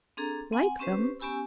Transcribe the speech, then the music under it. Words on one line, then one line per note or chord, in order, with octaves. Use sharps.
Like them!
C4 D4 G#4 A4 A#5
C4 F#5 G#5
C4 C#4 G4 B4 C5
B3 C#4 G4 G#5 B5 E6